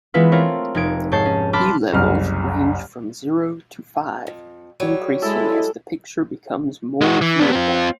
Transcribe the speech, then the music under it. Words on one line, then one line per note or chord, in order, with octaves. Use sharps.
P levels range from zero to five, increasing as the picture becomes more viewable.
E3 G#3 B3 E4 F4 B4
A3 C4 F4 A#4 C#5
F1 D#4 G#6 D7
G#2 C#5 A5 G6 C7
C#4
A5 B5 C6 D6 F6 F#6
F#1 C2 F6
F2
F#3 G3 C#5
G#3 E4 A4
G#3 F#4
E3
B3 D4
C4 F4